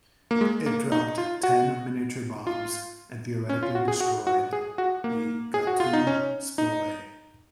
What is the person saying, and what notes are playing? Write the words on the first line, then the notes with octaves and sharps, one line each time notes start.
It dropped ten miniature bombs and theoretically "destroyed" the Gatun spillway.
A#3
G#3
A#3
D#4
F4
F#4
F4
C#4
F4
F#4
G#4
F#4
F#4
G#4
F#4
A#3
G#4
F#4
F4
D#4
C#4
D#4